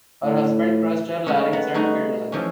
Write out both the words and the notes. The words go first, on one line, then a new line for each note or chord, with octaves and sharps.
Her husband crushed her larynx and killed her.
A2
G#3 A3 C#4
B3 F#5 A#5
G3 A3 D#4 F#4
E3 F3 C#4